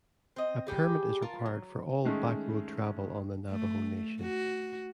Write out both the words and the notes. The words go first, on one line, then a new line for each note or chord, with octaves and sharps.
A permit is required for all backroad travel on the Navajo Nation.
C4 D#5
G3 G4 G#4
F4 A#4 A5
F#3
D#3 G#3 A3 C#4
A3
F#4